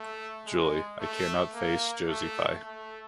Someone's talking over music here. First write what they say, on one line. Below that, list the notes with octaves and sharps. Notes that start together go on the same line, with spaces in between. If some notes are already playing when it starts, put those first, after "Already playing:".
Julie, I cannot face Josie Pye.
Already playing: A3
G#3
A3
A#3
A3
A3